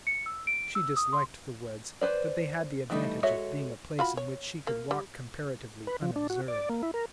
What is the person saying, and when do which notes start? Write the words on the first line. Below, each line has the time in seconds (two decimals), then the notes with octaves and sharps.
She disliked the woods, but they had the advantage of being a place in which she could walk comparatively unobserved.
0.07 C#7
0.26 E6
0.47 D7
0.75 E6
0.96 D#6
1.13 C6
2.01 B4 C5 D5
2.90 E3 G3 A3 D#4
3.23 G#3 F#4 A4 C#5 E5
3.99 F4 F#4 B5
4.17 C#5
4.67 A#3
4.91 G3
5.87 B4
6.02 F3
6.16 D4
6.30 F#4
6.48 D5
6.70 A#3
6.83 E4
6.94 A#4